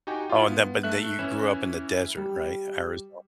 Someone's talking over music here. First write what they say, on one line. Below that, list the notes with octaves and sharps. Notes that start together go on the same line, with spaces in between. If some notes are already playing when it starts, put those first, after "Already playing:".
Oh, and then but then you grew up in the desert, right, Arizona.
D#4 F#4 G4 G5 G#5
E4 F4
B3
A3 E5 F#6
E3 C#4 E4 E5 E7
G3